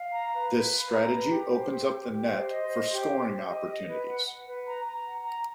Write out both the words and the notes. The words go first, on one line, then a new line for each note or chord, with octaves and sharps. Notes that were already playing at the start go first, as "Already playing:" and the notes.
This strategy opens up the net for scoring opportunities.
Already playing: F5
A#5
B4
B4
F5
A#5
B4
G4
C5
G4
G4
G4
C5
D#5
C5
G4
C5
G4
D#5
D#5
B4
F#5
F#5
B4
A#5
A#5
F#5
A#5